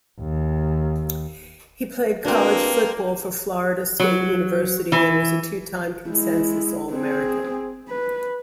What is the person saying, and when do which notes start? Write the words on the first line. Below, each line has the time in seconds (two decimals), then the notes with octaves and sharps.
He played college football for Florida State University, and was a two-time consensus All-American.
0.21 D#2
2.24 D2 A#3 C4 D4 B4
4.00 F#3
4.92 E3
6.08 G#3 E4
6.92 C4 G#4
7.89 B4